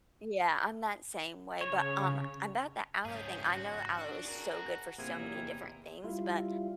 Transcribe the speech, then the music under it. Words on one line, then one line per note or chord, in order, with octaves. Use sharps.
Yeah, I'm that same way, but, um, about the aloe thing, I know aloe is so good for so many different things, but
C#3 C#5
G#2 C#4 G4 G#4
F#4
D4
G#4 A#4
E2 C3 A#3 D#4 E4 G#4 G5
G3 E4 F4